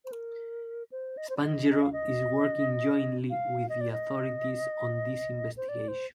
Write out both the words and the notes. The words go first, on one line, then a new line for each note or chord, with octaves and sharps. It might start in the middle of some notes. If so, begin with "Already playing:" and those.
Spanghero is working jointly with the authorities on this investigation.
C5
A#4
C5
D#5
C5
D5
D#5
D#5
F5
D#5
F5
D#5
D5
D#5
C5
D5
C5